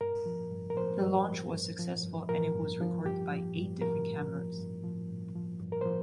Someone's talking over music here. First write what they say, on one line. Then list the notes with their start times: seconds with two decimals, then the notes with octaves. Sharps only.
The launch was successful and it was recorded by eight different cameras.
0.01 G2 A#4
0.26 F3
0.52 G2
0.70 A#4
0.77 F3 C5
1.02 G2
1.27 F3
1.53 G2
1.79 F3
2.04 G2
2.29 F3 A#4
2.55 G2
2.81 F3
3.05 G2 G4
3.32 F3
3.57 G2
3.81 F3 A#4
4.07 G2
4.33 F3
4.58 G2
4.83 F3
5.09 G2
5.35 F3
5.61 G2
5.72 A#4
5.81 C5
5.86 F3